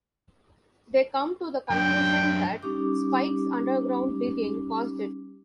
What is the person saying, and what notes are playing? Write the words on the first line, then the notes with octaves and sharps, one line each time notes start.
They come to the conclusion that Spike's underground digging caused it.
F#2 D4 G5
G3 C#4 D#4 G4 D6